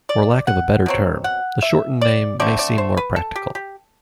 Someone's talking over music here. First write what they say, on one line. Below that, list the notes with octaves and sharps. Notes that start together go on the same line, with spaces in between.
For lack of a better term, the shortened name may seem more practical.
D5
F#5
B2 F#3 C4
F#5
E5
D5
D3 A3 C4 D5
D5
C5
B4
A4
G4
G4